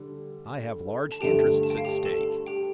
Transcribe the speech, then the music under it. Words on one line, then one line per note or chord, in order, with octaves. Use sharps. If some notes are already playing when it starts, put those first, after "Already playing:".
I have large interests at stake.
Already playing: D3 G3
A5
G2 D3 A3 G4 G5
A5
G5
F5
G4 G5
A4 A5
G4 G5